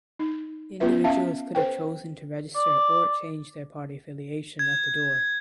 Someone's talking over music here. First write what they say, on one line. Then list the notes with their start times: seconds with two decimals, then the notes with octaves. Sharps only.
Individuals could have chosen to register or change their party affiliation at the door.
0.19 D#4
0.80 B3 C#4 F4 B4 E5
1.04 C#4 E5 F5 A5
1.55 A4 B4 C5 G5
2.55 D5
4.59 G#6